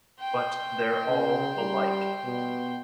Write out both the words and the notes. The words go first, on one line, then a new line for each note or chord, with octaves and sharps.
But they’re all alike.
G5 C6
C#3
G3
B2